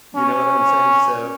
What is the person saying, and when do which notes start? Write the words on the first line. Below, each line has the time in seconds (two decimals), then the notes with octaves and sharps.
You know what I'm saying, so
0.16 C#4